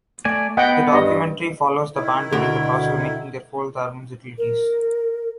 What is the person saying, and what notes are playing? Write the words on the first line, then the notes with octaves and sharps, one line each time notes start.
The documentary follows the band during the process of making their fourth album "Zitilites".
A3 D5 G#5
B3 D#5 F#5 G5
G2 D#5
D#3 E4
D2 B2 A4 F#5
A#4